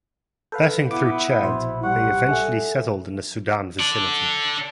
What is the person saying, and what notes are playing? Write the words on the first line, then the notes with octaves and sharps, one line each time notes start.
Passing through Chad, they eventually settled in the Sudan vicinity.
A4 B4 F5 G6
B3 E4 D6
A#1 B2 C5
G3 F#5 C#6
A4 E5 G#5
A4 D5